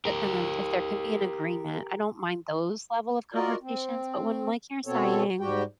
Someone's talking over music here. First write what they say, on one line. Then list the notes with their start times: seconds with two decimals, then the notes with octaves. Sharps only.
a and then if there can be an agreement, I don't mind those level of conversations, but when, like you're saying,
0.05 G4 A#4
3.34 F4 F#4 A#4 D5 D#5
3.62 C4
4.86 B2 B3 C4 A4 C#5
5.40 G#2 G3 F#4 G4 G5